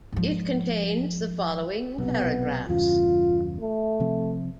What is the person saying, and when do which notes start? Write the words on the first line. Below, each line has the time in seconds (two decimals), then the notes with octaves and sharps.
It contains the following paragraphs.
0.12 G#2 F3
1.98 B1 C3 B3
2.69 E2 G2 C#3 F4
3.60 A3
4.00 C3 F3 C4